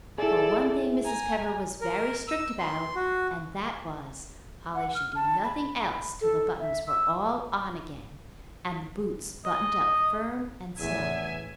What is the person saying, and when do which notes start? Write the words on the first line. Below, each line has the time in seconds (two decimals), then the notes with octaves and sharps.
For one thing Mrs. Pepper was very strict about--and that was, Polly should do nothing else till the buttons were all on again, and the boots buttoned up firm and snug.
0.18 E4 G#4 A4 D5
1.04 G#5 A#5
1.81 A#4
2.28 E6
2.59 C6
2.95 F#4
4.75 F#5
4.95 F6
5.15 A5
5.44 B5
6.21 A4
6.60 E5
6.87 E6
9.45 D#5
10.79 A1 E2 E5 G#5